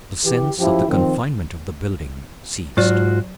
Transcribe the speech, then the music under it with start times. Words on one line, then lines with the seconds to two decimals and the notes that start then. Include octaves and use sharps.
The sense of the confinement of the building ceased.
0.23 E3 G4
0.59 F#2 F3 E4 G4
0.87 D#3 F3 C4
2.77 G#2 F#3 F4 F#4 D5